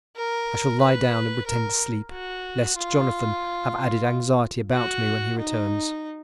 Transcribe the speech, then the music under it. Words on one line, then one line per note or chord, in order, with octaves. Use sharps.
I shall lie down and pretend to sleep, lest Jonathan have added anxiety about me when he returns.
A#4
B4
A#4
F#4
F4
F#4
D#4